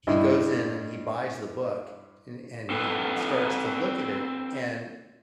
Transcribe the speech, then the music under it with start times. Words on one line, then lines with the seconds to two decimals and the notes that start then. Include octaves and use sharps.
he goes in, and he buys the book, a and he starts to look at it, and
0.07 G2 E4 D#5
2.70 C4 A4 B4